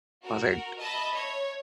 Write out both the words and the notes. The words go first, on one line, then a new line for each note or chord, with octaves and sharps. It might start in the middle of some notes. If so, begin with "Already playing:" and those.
I was like
F#4 A#4
D#5 E5 A5 B5
C#5